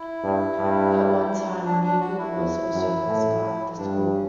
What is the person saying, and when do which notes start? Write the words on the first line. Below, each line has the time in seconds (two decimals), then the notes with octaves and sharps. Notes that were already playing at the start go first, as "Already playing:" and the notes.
At one time an eagle was also a mascot at the school.
Already playing: E4
0.23 G2
0.59 G2
1.65 D4
1.83 D4
2.01 F#4
2.18 E4
2.36 E2
2.72 F#2
3.07 A2
3.78 G2 D4
4.13 C#4